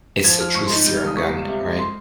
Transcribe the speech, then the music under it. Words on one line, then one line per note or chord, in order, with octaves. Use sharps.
It's the truth serum gun, right?
F3 G#6
F3 F6
G#2 C#6
C6
D#4
G3 G6
F6
C#2 D#6
G3 C#6
C#2
C3
G#3
C6